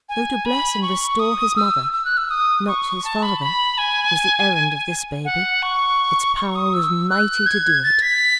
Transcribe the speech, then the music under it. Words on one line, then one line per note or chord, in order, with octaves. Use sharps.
Though to bless and restore his mother, not his father, was the errand of this baby, its power was mighty to do it.
G#5
B5
C#6
D#6
E6
E6
F#6
E6
D#6
C#6
A5
B5
B5
G#5
F#5
C#6
C#6
D#6
E6
F#6
G#6
A6
B6